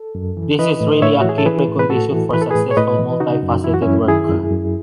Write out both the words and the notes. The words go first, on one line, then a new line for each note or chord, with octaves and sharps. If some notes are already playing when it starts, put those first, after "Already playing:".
This is really a key precondition for successful multifaceted work.
Already playing: A4
F#2
E3
E3 B4 D#5
A2
D#5
A2 C#5 E5
F#4
E3 G#4
A4
E3 G#4 B4
A2
B4
A2 F#4 A4
E3
E3 B4
A4
A2 G#4 B4
C#5
A2 B4 D#5
E3
C#3 D#4 F#4
F#2
E3 E4
F#4
F#2 C#4 E4
D#3 E4 G#4
F#2
F#2